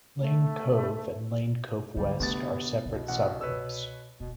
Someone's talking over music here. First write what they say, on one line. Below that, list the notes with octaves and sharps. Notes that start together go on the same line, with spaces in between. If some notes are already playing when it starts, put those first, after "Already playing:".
Lane Cove and Lane Cove West are separate suburbs.
A3
D3 F#3 G3
D2 C3 A3 B3 A6
C2 B2
A1 F#5
B4 C#5 E6
E1 B2